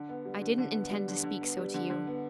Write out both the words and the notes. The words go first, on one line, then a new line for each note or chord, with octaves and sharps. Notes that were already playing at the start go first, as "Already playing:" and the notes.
'I didn't intend to speak so to you.
Already playing: D3
B3
G3
D3
D3
B3
G3
D3
D3
B3
G3
D3
D3
B3